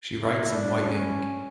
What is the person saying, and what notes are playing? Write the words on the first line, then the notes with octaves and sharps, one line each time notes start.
She writes in white ink.
E4
D4
C#4